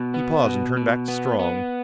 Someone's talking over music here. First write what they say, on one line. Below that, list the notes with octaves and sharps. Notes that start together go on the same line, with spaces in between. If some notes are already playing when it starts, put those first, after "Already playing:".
He paused and turned back to Strong.
Already playing: B2
B3
B2
B2
B3
B3